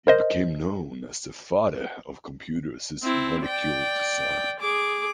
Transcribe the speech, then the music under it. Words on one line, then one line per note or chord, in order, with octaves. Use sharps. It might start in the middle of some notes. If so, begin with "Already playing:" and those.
He became known as the 'father of computer-assisted molecule design.
A#4 C5 D#5
C4 E4
D5 G5
G#4 D6